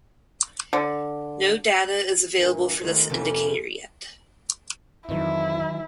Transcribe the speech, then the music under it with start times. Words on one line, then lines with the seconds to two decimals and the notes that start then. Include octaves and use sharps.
No data is available for this indicator yet.
0.73 D3
2.38 G2 A#2 E3
2.81 A#1 D#3 G#3 A3
3.10 F1 F2 A#3 C#4 G4 A4
5.09 F2 D#3 E3 F#3 E4